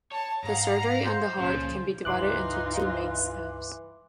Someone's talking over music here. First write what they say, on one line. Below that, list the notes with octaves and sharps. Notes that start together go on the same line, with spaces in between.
The surgery on the heart can be divided into two main steps.
C#5 A5
G#2 F5 F#5 A#5
C5
C#2 A#2 C#3 F3
C#2 G2 E3 D#4 F4 C6 D6 F#6